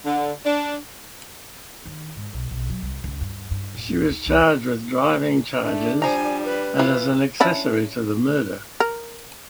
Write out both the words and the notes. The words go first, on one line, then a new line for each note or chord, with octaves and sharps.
She was charged with driving charges and as an accessory to the murder.
D3
D4
D#3
G#2
B1
B1
F#3
C2
C#2
G2
G2
D1
D#4
C2
A3 D4
F3 G3 G#5 A#5
B4
E3 F4
C#4 D4 E4
A#4